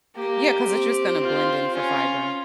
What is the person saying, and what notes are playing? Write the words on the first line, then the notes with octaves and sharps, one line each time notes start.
Yeah, 'cause it's just gonna blend in for fiber.
A#3 G4
C4
F4
C#4 F4